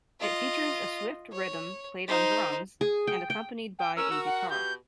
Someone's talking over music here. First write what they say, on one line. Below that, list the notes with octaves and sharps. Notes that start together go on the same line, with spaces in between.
It features a swift rhythm played on drums and accompanied by a guitar.
F4 D#5
C#5
D#4 C5
G#4
G5
G5
G5
C#4 A#4 E6
F#4 A#4
F#5
B2 G4 G6